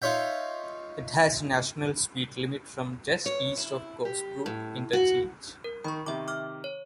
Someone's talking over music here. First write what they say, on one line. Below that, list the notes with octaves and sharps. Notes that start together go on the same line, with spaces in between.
It has National Speed Limit from just east of Goresbrook Interchange.
D#4 F4 C#5 E5 G5
C#5
E4
G4
A2
F#4
A#4
D#3 B5 C#6
C3 D#3 E5 D6
D6 F6
C#5